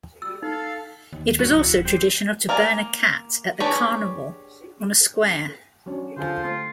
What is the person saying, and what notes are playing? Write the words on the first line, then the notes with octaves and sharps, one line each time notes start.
It was also traditional to burn a cat at the carnival on a square.
G3 E6
D#4 A4 F5
D#2
G2 F#3 C#4 F#4
C2 E3 F#4
D#1
G3 C4 G5
A#3 A#4 D5 G#5
D4 G4 G#4 B4 C#5
F#3 C#4 D4
D3 F3 G#4 A4 C5
A3 C4 F4